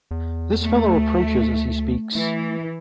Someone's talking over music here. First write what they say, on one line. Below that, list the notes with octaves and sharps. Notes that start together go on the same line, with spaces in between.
This fellow approaches as he speaks.
E2
A3
D2
E3 A3